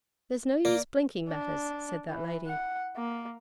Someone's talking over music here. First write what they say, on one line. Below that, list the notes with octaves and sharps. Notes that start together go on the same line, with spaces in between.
'There's no use blinking matters,' said that lady.
A#3 D5
D4
E3
F#5
A#3